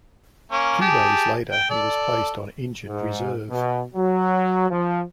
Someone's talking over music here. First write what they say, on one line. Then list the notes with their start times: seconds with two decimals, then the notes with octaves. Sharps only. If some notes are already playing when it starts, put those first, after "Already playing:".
Two days later, he was placed on injured reserve.
0.52 A#3 C#4
0.81 G4 G#4 A5
1.52 G5
1.70 A4 D5
2.87 G#2
3.49 B2
3.95 F#3
4.70 F3